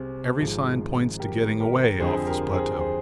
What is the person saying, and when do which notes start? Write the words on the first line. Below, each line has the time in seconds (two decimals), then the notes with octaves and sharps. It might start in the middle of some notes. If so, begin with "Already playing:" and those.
Every sign points to getting away off this plateau.
Already playing: C2 C3 G#4 C5
0.40 G#1 G#2 F3
1.20 G4 A#4
1.60 G4 A#4
2.00 F2 D3 F3 G#4 C5
2.26 G4 A#4
2.53 G#4 C5
2.80 G#4 C5